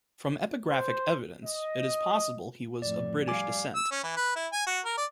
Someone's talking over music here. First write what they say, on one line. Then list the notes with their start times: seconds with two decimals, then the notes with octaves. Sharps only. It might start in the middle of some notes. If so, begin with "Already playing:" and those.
From epigraphic evidence it is possible he was of British descent.
0.68 C5
1.44 D#5
2.82 F2 A2 D5
3.28 G3 F5 G#5 D6
3.75 E6
3.91 C#4
4.03 E3
4.17 B4
4.36 E4
4.52 G#5
4.66 F#4
4.85 A#4
4.97 D5